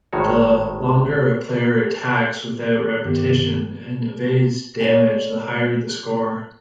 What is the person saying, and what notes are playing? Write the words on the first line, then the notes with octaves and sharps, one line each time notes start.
The longer a player attacks without repetition and evades damage, the higher the score.
G#1 A2 D#3 G#3 F#4 C#5
G2 D#3 B3 G4
C#5 D5 G#5